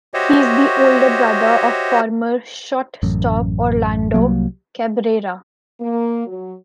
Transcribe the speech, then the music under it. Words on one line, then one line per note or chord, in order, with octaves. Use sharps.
He is the older brother of former shortstop Orlando Cabrera.
F#4 G4 C5 C#5 D#5 E5
A1 F#2
C2 F#3 A#3
A#3
F#3